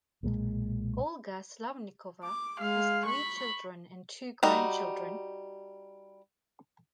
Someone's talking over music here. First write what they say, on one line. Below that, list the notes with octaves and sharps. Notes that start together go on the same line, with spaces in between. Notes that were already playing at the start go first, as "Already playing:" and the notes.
Olga Slavnikova has three children and two grandchildren.
B1 A#2 F#3 G#3
D6
G#3 F5
B5 C#6
G3 D#4 F#4